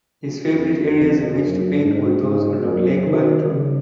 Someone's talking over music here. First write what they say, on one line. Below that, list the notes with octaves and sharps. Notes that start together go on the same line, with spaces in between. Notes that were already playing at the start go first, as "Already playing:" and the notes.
His favorite areas in which to paint were those around Lake Balaton.
F2
F2
F#2
G#2
G#2
F#2
D#3
C#3